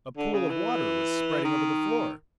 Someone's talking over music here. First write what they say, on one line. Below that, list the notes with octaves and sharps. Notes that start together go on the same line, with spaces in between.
A pool of water was spreading over the floor.
D3
C#3
E3
D#3